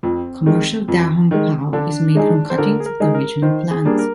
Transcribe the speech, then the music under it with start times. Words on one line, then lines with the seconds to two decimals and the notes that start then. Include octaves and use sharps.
Commercial Da Hong Pao is made from cuttings of the original plants.
0.03 F2 C4
0.46 D#3 G#3
0.88 F2
1.31 D#3 G#3
1.73 D3 D4
2.15 G#3 D#4 G#4
2.50 C5
2.58 D3 A#4
2.80 G#4
2.86 A#4
3.00 G#3 D#4 G#4
3.15 A#4
3.42 D#3 C5
3.71 G#4
3.85 G3 A#3 D4 G#4
3.99 A#4